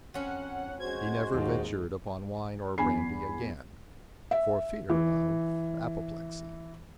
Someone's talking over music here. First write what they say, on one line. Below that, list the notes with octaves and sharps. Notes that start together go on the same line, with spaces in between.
He never ventured upon wine or brandy again for fear of apoplexy.
F2 C#4 F#5
G#3 F#4 C5 G#6
D#2 G#2
E2 G#5 B5 C7
E5
E3